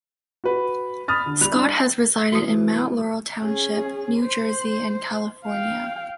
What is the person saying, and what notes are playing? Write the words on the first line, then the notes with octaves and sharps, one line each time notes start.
Scott has resided in Mount Laurel Township, New Jersey, and California.
F#4 B4
B5 D#6 F6 A6
D3
G3 F#6 F7
D4
C3 E3 G#3 A#3 F4 F#4 D#6
C#4 G#4
C5
F5 G5